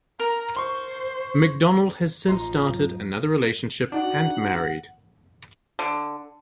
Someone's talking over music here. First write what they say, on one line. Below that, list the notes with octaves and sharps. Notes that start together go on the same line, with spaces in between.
MacDonald has since started another relationship and married.
A#4 A#5
C5 C6 C#6
A1 F3 D#4 A#5 C6
E2 G#2 F#3
D4 D#4 F#4 F#5
D3